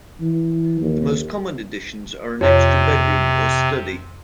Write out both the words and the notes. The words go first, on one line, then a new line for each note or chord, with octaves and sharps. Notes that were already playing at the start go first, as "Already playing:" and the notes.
The most common additions are an extra bedroom or study.
E3
D#2
F2 C3 C#5